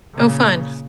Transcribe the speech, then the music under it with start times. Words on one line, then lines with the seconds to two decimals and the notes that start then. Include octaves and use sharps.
Oh, fun.
0.14 A#2 C#3